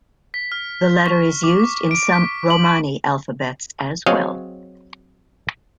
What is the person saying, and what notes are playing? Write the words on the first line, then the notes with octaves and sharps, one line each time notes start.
The letter is used in some Romani alphabets as well.
B6
F6
C#6
D6
D6
D7
B6
F#7
C#6
F#3 C4 G#4 C#5 D#5 F5